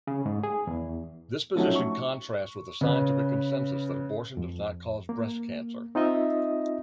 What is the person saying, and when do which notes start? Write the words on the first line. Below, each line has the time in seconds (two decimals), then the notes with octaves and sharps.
This position contrasts with the scientific consensus that abortion does "not" cause breast cancer.
0.07 C#3
0.26 G#2
0.43 G#4
0.67 E2
1.55 F3 F#3 A3 C#4 D#4 F#4
1.75 C#6
2.81 C#3 B4
4.37 F2
5.09 A#3
5.95 C4 D#4 F4 D#5 E5